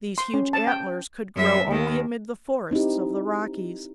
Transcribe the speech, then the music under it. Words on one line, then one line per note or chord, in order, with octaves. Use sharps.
These huge antlers could grow only amid the forests of the Rockies.
C6
C#4
A5
G5
F#2 E5
D#2 D#3
C4 D#4 E4 G4